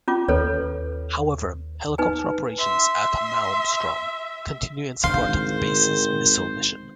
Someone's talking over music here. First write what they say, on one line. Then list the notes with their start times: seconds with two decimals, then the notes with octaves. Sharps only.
However, helicopter operations at Malmstrom continue in support of the base's missile mission.
0.08 C#4 F4 D6
0.29 D#2 A4 B4 C#5
1.98 D#4 B4 G#5
2.59 E5 C6
5.04 G#1 D3 C5 F5 C6